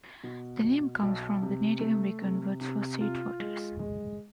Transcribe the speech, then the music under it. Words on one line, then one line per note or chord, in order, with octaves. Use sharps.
The name comes from the Native American word for sweet waters.
B2
B2
B1
C3
A3
C3
C3
F4
G#3
G#3